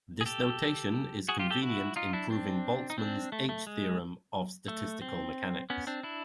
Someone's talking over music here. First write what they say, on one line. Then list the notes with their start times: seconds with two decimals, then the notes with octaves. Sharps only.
This notation is convenient in proving Boltzmann's H-theorem of statistical mechanics.
0.21 G#4
0.26 G4 A4
1.29 F#4 G#4
1.39 F4 G4
1.50 G4 A4
1.62 E4 F#4
1.96 D#4 F4
2.13 D4 E4
2.30 C4 D4
2.90 D#4
2.98 C4 D4
3.32 A3
3.49 A3
3.67 G#3
4.68 A3
5.02 C4
5.70 B3 C#4
5.87 C4 D4
6.03 D4 E4